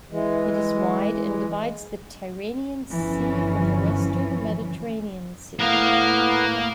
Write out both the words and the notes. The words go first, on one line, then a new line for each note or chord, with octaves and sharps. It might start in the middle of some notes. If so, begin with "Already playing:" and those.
It is wide and divides the Tyrrhenian Sea from the western Mediterranean Sea.
E3 G#3
G1 E3 F3 C#4
E3
A2 A#3 B3 B4 F5